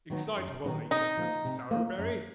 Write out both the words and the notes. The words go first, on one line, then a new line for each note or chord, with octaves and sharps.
Excitable natures, Mrs. Sowerberry!
D#3 F#3 B3 D#4
F#2
D#3 F#3 B3 D#4
C3 D#4
F3 A#3
C3
F3 A#3
F#2